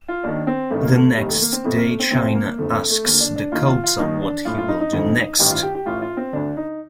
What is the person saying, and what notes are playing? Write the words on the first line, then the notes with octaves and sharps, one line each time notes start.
The next day, China asks Dakota what he will do next.
F4
D#2 D#3 D4
C4
A1 G2 D#3 A3
A#3
A3
F1 D#2 D#3 G3
A3
A#3
C4
G1 F2 C3 A3
A#3
A3
C4
G1 F2 C3 C4
A#3
F1 F2 D3 A3
A3
A3
D#2 D3 A#3
D4
D4
D#2 D#3 F4
F4
F4
D#2 D#3 D#4
D4
A#1 A2 F4
F4
D#4
D#4
F1 F2 D3
A1 G2 D#3 G4
F4
G4
G4
A1 A2 F4
F4
C4
D2 D3 D4
D#4